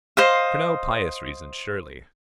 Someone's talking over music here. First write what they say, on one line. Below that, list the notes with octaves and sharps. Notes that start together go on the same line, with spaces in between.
For no pious reason, surely.
C5 D#5 F5